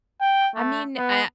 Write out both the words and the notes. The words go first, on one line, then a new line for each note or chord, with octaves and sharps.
I mean, I
G5
A3
B3